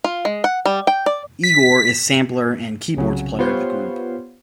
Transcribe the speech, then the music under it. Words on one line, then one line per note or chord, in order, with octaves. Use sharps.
Igor is Sampler and Keyboards player of the group.
F4
G#3
F#5
G3
G5
D5
B6
C2 C#3 F#3
B3 F4 G4 C5 C#5